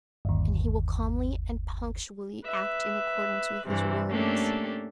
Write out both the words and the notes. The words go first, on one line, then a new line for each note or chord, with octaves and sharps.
And he will calmly and punctually act in accordance with his words.
G1 D#2
B4 E5
G2 C3 E3
A3 A#3 C#4 D4 G4 A4